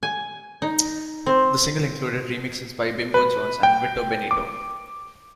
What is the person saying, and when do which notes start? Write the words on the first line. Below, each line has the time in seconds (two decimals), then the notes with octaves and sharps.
The single included remixes by Bimbo Jones and Vito Benito.
0.03 G#5
0.62 D#4
1.26 C4
3.14 B4
3.63 G5
4.31 D6